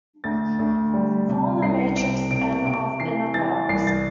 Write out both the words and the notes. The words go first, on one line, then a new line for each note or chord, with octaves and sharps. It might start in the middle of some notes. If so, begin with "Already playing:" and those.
Form the matrix "M" of inner products.
D2 A6
D2
G3
C3
C2 C7
C3 D7
C3 D7
C3 D7
E3 C7
E3 A6
C2 C7
A6